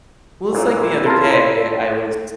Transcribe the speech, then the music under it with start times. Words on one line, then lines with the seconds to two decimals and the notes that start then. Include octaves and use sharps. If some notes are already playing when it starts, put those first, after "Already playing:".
Well, it's like the other day, I was
0.53 G1 A#2 E4
1.06 F4 G#4 A#4 A5 C6